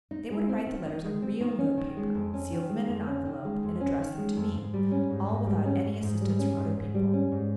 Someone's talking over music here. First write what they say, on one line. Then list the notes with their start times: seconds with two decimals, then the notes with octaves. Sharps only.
They were to write the letters on real note paper, seal them in an envelope, and address them to me, all without any assistance from other people.
0.11 D#4
0.30 G#3
0.49 C4
0.66 D#3
0.85 D#4
1.04 G#3
1.22 C4
1.41 D#3
1.59 C#4
1.77 D#3
1.97 G#3
2.15 F2
2.34 C#4
2.52 D#3
2.70 G#3
2.88 F2
3.07 C#4
3.26 D#3
3.45 G#3
3.63 F2
3.81 C#4
3.99 D#3
4.18 G#3
4.37 F2
4.55 G#2
4.74 G3
4.91 C#4
5.10 G#2
5.29 G#2
5.47 G3
5.65 C#4
5.84 G#2
6.02 G#2
6.22 G3
6.39 C#4
6.57 G#2
6.77 G#2
6.94 G3
7.13 C#4
7.32 G#2